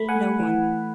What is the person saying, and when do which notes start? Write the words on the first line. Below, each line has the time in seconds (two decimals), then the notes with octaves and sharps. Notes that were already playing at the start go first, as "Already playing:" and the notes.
"No one."
Already playing: A3 B5
0.09 F#5 G#5
0.40 E3